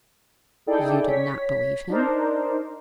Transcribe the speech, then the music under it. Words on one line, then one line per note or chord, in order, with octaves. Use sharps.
"You did not believe him?"
D#4 E4 G#4 A4 D5 G5
C#5 B6
D4 D#4 A#4 C5